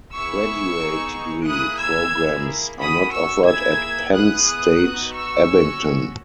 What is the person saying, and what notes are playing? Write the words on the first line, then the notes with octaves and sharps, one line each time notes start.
Graduate degree programs are not offered at Penn State Abington.
B3 E4 G#4 C#6 E6
B3 D#4 G#4
A#3 E4 G#4 D#6 F#6
E6 G#6
A#3 E4 G#4
C#4 F#4 B5 D#6
C#6 E6
A#3 E4 G#4 E6 G#6
B3 E4 G#4 D#6 F#6
D#6 F#6
B3 D#4 F#4
C#6 E6
C#4 F#4